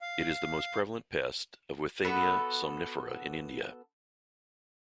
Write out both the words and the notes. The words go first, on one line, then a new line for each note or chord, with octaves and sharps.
It is the most prevalent pest of "Withania somnifera" in India.
F5
B3 F#4 A4 B4